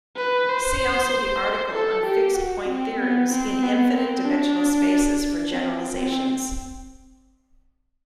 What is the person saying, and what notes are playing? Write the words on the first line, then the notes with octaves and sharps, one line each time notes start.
See also the article on fixed point theorems in infinite-dimensional spaces for generalizations.
B4
C5
A4
G4
F#4
C4
B3
C4
B3
C4
D4
C4
C4